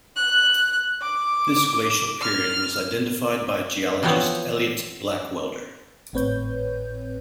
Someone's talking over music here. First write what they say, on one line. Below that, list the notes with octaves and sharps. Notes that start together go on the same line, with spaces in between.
This glacial period was identified by geologist Eliot Blackwelder.
F#6
D6
F6
E3 F3 B3 C4 C#5
G#1 A2 C4 B4 C#5 G6